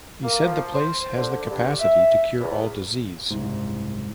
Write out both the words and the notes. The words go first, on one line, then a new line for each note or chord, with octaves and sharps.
He said the place has the capacity to cure all disease.
A#3
F3
C5
D3
G2
E5
E2
F#1 C2 G#2